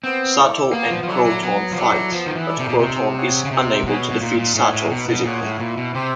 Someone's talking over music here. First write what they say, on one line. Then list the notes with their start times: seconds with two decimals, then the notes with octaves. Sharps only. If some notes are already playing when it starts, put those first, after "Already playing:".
Sato and Kroton fight, but Kroton is unable to defeat Sato physically.
0.04 B3 C4
0.38 E4 A4 D5
0.73 A#3 B3
0.91 F3
1.03 F3
1.08 F#3 E4 A4 D5
1.25 F#3
1.43 F#3 B3
1.72 F3
1.77 F#3 E4 A4 D5
2.12 F3 B3
2.26 D#3
2.35 E3
2.48 E4 A4 D5
2.59 C3
2.69 B2
2.79 C3 D#4
3.17 G#4 C#5 F#5
3.45 C#3
3.52 C3 D#4
3.86 B2 G#4 C#5 F#5
4.11 B2
4.21 A#2 D#4
4.39 A#2
4.55 A2 G#4 C#5 F#5
4.73 A2
4.90 B2 D#4
5.08 B2
5.25 A#2 G#4 C#5 F#5
5.43 A2
5.60 A#2 E4
5.77 B2
5.95 C3 G4 C5 E5 G5